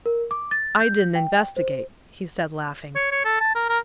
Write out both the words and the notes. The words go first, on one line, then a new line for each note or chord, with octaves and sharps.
"I didn't investigate," he said, laughing.
A#4
D6
A6
G6
G5
C5
C#5
C#5
A4
A5
A#4
A#4